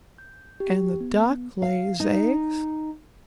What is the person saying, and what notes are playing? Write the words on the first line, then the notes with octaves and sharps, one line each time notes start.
And the Duck lays eggs.
G6
G4
B3
F5
D#4